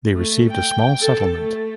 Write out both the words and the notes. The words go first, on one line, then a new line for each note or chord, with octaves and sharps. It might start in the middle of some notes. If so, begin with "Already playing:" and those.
They received a small settlement.
A3
G5
A4
A3